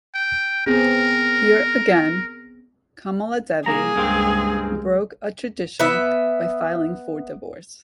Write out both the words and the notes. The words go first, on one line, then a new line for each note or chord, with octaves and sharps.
Here again, Kamaladevi broke a tradition by filing for divorce.
G5
B3 C4 G#4 A#4
C2 A#3 G#4 A#5
C#2 G2 G#3 A#3 C4
B3 E5